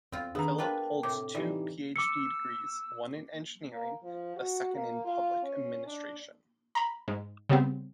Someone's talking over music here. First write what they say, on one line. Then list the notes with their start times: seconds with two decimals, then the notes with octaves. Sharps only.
Filip holds two PhD degrees, one in engineering, the second in public administration.
0.12 E2 C4 F4
0.35 D#3 B3 D4 G#4 A#5
0.58 D4 F4 A#4 B4 G5 A5
1.03 A2 C3 D6
1.35 E3 D#4 E4 G4 D5
1.96 D6 E6 C#7
3.72 A#3
4.03 F3
4.36 F#4
4.74 A#3
5.05 F4
5.43 C#4
5.86 D4
6.75 A#5 B5
7.08 G#2
7.49 C#3 G3 B3 C4